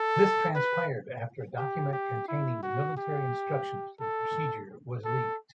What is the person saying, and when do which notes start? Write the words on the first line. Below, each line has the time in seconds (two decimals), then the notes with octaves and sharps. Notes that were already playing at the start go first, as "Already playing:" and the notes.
This transpired after a document containing the military instructions for the procedure was leaked.
Already playing: A4
0.55 B4
1.58 G4
1.93 G4
2.28 E4
2.63 F#4
2.97 G4
4.00 A4
5.05 A4